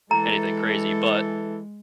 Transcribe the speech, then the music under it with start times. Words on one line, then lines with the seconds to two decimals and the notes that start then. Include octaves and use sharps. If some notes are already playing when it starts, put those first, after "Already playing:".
anything crazy, but,
0.11 E3 G#3 A4 A#5